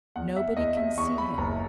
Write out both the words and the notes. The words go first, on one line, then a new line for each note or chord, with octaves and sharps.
Nobody can see him.
E2 F#5
E5
E2 D#5
E5
E2 C#6
B5
F#1 A#5